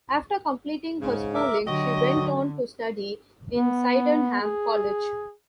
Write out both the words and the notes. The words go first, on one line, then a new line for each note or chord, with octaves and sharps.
After completing her schooling she went on to study in Sydenham College.
G#2 C#3
A#4 E5 D6
D3 F#3 F#4 G4 D#5
B3
G#4